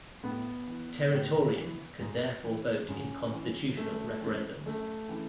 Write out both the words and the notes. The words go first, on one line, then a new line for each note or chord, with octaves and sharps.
Territorians could therefore vote in constitutional referendums.
A2 B3
E3
A2
E3
G#2
E3
G#2 C#4
E3
F#2 A3
C#3 E3
F#2 A3
C#3 E3